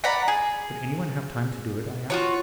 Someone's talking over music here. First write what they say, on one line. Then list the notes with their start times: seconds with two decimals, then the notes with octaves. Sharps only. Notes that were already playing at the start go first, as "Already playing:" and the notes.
"Would anyone have time to do it?" I asked.
0.04 D5 F#5 A#5 B5
0.28 G#4
2.10 F4 F#4 C#5